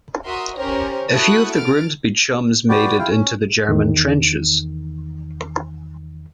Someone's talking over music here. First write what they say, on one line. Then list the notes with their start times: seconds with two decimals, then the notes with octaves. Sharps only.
A few of the Grimsby Chums made it into the German trenches.
0.25 F#4 A#4 E5 C6 D#6
0.56 C#4 G4 A#4 C5 C#5
1.12 E4 F#4 A4 C#6 D#6 F#6
1.54 F6 A6 D7
2.69 F#4 G4 B4 D5 G5
2.99 E4 F4 G5
3.10 C#4
3.69 E2 D#3